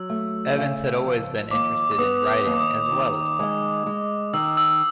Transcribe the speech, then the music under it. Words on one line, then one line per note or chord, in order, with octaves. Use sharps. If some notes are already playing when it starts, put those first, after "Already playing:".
Evans had always been interested in writing as well as playing.
Already playing: F#3 E6
A3
C#3
F3
D#2 D6
D6
B3 D#6
D#2 D#6
D6
D#6
D#3
G#3
G#3
D#3 E6
E6